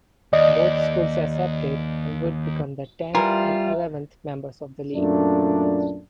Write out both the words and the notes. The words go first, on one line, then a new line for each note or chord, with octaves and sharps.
Both schools accepted and would become the tenth and eleventh members of the league.
D#2 D5 D#5
E3 G3 F4 A#4
F#2 A#2 A3 D4